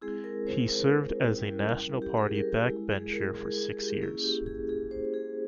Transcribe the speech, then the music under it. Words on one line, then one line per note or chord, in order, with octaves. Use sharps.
He served as a National Party backbencher for six years.
G#3 C4 E4 G#4
A#4
C5
A#4
G3 C#4 E4
G4
G#4
A#4
G4
G#3 E4
G#4
A#4
G#4
G#4
G4
A#3 C#4 E4 G#4
G4
G#4
G#4
C5
G#4